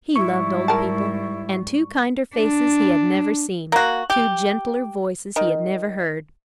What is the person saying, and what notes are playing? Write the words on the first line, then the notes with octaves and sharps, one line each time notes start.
He loved old people, and two kinder faces he had never seen--two gentler voices he had never heard.
G#2 G3 E4 C#6
A#4 A5
D4
A#3 F#4
G4
D#3